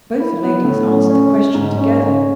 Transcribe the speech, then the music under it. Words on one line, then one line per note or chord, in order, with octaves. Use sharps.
Both the ladies answered the question together.
E4
B3
A2
C#4
C#4
G#3
G#2
C#4
C#4